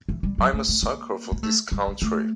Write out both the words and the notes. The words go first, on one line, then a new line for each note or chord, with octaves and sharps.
I'm a sucker for this country.
E3
G3
F#3
A3
A3
A#3
A#3
A3
G3
G3
A3